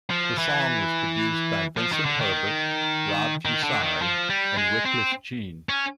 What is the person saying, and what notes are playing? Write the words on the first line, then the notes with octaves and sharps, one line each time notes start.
The song was produced by Vincent Herbert, Rob Fusari and Wyclef Jean.
F3
E3
F3
D#3
D3
D#3
D#3
D3
D#3
F3
G3
G#3
C4
C#4